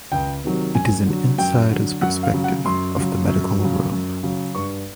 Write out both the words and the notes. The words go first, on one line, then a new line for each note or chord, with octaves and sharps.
It is an insider's perspective of the medical world.
C#2 G5
C3 D#3 F#3
F#2 G#5
D3 F#3
F#2 G5
D3 F#3
F#2 F#5
F5
C#3 F#3
F#5
F#2 C6
C#3 F#3
F#2
C#3 F#3
F#2
C#3 F#3
G2 C#6